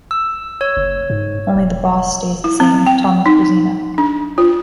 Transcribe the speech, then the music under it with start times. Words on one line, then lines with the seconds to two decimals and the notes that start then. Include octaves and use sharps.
Only the 'boss' stays the same: Thomas Brezina.
0.11 E6
0.61 C#5 E6
0.77 F#1
1.10 G#2
1.55 E1
2.44 E4
2.60 C4
2.86 G5
3.26 D#4
3.98 D4
4.38 F4